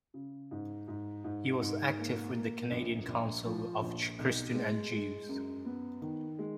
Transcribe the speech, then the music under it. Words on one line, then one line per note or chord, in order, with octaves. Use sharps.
He was active with the Canadian Council of Christians and Jews.
C#3
G#2
G#2
G#2
G#2
A#3
A#3
A#1
A#1
F3
A#1
B1
G#3
G#3
F#2
B3
D#3
G#3